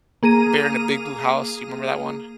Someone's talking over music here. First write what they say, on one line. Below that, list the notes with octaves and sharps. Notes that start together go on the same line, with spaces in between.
Bear in a Big Blue House, do you remember that one?
A#3 G#4 A#5 D#7